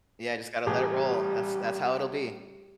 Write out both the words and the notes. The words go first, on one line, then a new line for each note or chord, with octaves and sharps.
Yeah, just gotta let it roll. That's that's how it'll be.
A1 G3 G4 G#4